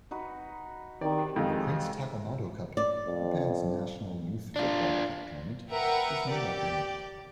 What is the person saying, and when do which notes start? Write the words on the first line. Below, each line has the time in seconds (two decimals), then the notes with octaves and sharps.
The Prince Takamado Cup, Japan's national youth football cup tournament, is named after him.
0.11 D#4 F#4 B4
1.01 C3 D#3 D5
1.36 F2 D#3 G#3 D#5
2.77 D5
3.07 F2
4.56 D4 F4
5.70 A#4 B4 E5 F#5 G5
6.30 G4 D5